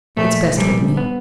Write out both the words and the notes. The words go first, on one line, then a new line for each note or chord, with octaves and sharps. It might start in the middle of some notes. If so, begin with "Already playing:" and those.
"It's best with me."
A#1 A3
A#1 G3
B3